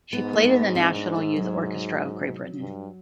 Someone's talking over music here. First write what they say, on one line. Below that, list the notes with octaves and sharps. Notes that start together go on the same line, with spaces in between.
She played in the National Youth Orchestra of Great Britain.
G#2 B3
A#3
B3
C4
D4
A3
F#3
G2